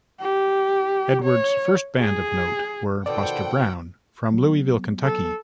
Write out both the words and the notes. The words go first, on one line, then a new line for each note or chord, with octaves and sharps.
Edwards' first band of note were Buster Brown from Louisville, Kentucky.
G4
C#5
G#4
F2 B2 D#3 A4 C5 D5 F#5 G5
F#3 B3
A4